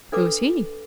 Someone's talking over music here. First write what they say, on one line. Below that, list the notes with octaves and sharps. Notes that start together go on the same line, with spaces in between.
"Who is he?"
D4 A4 B4 D6